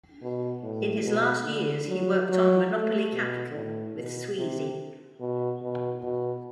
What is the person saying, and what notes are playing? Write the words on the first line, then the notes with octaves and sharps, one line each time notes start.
In his last years he worked on "Monopoly Capital" with Sweezy.
B2
A2
B2
D3
F#3
F#3
A3
B2
A2
B2
C3
B2
B2
B2